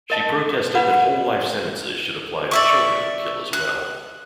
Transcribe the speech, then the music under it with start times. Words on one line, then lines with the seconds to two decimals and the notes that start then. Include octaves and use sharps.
She protested that whole life sentences should apply to children who kill as well.
0.10 A#4 D#5 A5
0.75 B4 F#5 B5
2.51 D5 E5 C#6
3.53 F#6